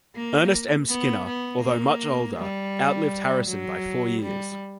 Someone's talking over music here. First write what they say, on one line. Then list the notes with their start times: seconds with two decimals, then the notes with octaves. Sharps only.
Ernest M. Skinner, although much older, outlived Harrison by four years.
0.16 A#3
0.89 B3
1.26 B3
1.63 A#3
2.37 G3
3.48 F#3
4.22 G3